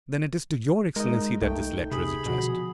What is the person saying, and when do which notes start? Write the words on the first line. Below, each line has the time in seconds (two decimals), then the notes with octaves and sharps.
"Then it is to your excellency that this letter is addressed."
0.96 G#3 D#4 A#4 D#5
1.42 C2 A3 D#4 G5
1.91 C3 G#4 B5
2.26 B2 D3 F3 F#4